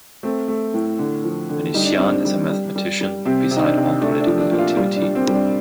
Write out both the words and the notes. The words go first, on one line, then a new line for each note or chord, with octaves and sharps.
Venetiaan is a mathematician beside all political activity.
A3 C4
A3
A2
D3
F3
D3
G3 D#4
D4
G3 C4
D4
G3
G3
G3
G3
C3 C4
C3
D#4
D4
C3
A3 D4
D4
F3
D4
A#2
F4
G3 F4
D4
G3
C4
G3
D4